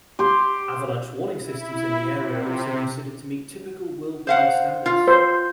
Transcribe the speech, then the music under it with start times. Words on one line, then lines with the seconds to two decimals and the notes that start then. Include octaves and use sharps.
Avalanche warning systems in the area are also considered to meet typical worldwide standards.
0.19 G4 C6
1.41 E4
2.09 C3
4.27 C5 F5 F#5
4.86 F4
5.08 C5